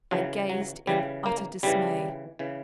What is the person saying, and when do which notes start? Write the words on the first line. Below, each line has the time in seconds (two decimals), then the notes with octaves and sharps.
I gazed in utter dismay.
0.11 C#3 E3 F#3
0.50 F#3
0.87 C#3 E3 G3
1.26 A#3
1.63 C#3 E3 G3
2.39 C#3 E3